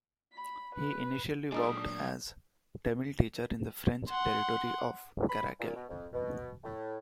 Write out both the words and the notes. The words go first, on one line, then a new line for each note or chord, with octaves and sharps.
He initially worked as a Tamil teacher in the French territory of Karaikal.
B5
B4
A#2 F#3 G#3 D4 D#4 A4 D5 D#6
F#5 C6
B5
A#2
B2
F2
B2
A2